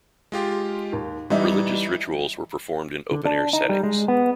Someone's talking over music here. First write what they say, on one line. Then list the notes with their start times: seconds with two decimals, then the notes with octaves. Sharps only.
Religious rituals were performed in open air settings.
0.32 G#3 F4 G4
0.92 D#2
1.30 E3 G3 D#4 D#5 E5
3.11 D3
3.25 D4
3.53 D#4
3.69 G3
3.83 G#3
4.08 B3